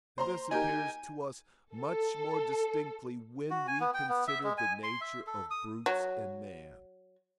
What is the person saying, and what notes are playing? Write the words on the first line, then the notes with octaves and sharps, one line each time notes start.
And this appears to us much more distinctly when we consider the nature of brutes and man.
C5 A#5 C6
D#4 G4 A#4 G#5
A4
F#4
G#5
B3
G5
B3
E5
G#3
G#5
C6
E5
A4
D#6
F#3